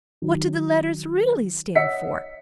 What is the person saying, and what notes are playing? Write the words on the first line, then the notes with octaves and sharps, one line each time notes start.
"What do the letters really stand for?"
D#3 F#3
C#5 D#5 F#5 E6 B6 C#7